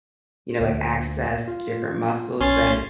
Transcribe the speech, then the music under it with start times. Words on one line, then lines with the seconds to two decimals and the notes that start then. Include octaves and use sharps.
you know, like, access different muscles that
0.60 D2
1.48 F4
2.40 B1 C#4 C6 A6